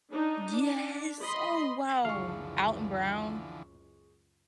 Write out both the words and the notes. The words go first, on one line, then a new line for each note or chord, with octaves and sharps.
Yes! Oh wow, Alton Brown.
D4 D#4
D4
D#5 B5 C6
F#1 C#2 D3 E3 F3 G#3 F5 C#6